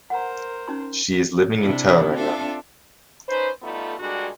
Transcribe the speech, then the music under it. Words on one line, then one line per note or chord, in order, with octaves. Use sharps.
She is living in Tauranga.
A#4 C5 F#5 A#5
C#4 D#4 C6
C3 D4 E4
C4 D4 F4 A4 E5
C#4 D#4 B4 C5
G3 A3 B3 D#4 F4 A4
A#2 D3 G3 G#3 D4 F#4